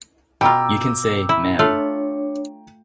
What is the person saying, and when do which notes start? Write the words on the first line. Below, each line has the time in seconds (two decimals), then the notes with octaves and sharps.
You can say: “Ma’am”.
0.41 B2 F4 G5 A#5 D6 E6
1.29 E4
1.59 A3 D4 F4 C#5